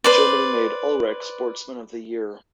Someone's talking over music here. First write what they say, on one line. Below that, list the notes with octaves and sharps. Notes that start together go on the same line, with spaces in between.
Germany made Ullrich sportsman of the year.
B4 C5 D5